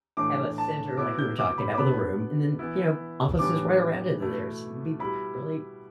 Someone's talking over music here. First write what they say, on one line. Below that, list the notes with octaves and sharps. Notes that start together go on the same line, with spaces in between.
have a center- like we were talking about- with a room and then, you know, offices right around it. Th there's it'd be really
A2 E3 A3 D4 D6
A5
B2 B3 E4 D6
G6
D6
B5
D6
B2 B3 D4 B5
E3 B3 E4
A2 E3 G3 B3 D4 D6
B2 A3 E4
B2 G3 E4 B5